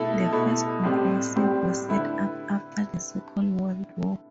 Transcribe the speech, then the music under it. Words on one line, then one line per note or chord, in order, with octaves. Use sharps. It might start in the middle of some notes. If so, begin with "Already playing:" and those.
The first comprehensives were set up after the Second World War.
Already playing: B2 A3 E4 A4
B2 A3 E4 A4
A2 G3 C4 G4
A2 G3 C4 G4
D3 A3 E4 B4